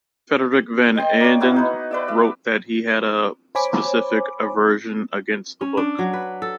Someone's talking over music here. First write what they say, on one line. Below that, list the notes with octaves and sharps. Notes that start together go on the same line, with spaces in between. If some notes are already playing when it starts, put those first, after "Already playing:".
Frederik van Eeden wrote that he had a specific aversion against the book.
D#5 G5 C6
A#3 C#5 D5
A#3 B3 E4 F#4
D#4 B4
B4 D5 E5
D5 E5
C5 C#5 G#5 B5 D6
C#4
D4
F#3
B4
A4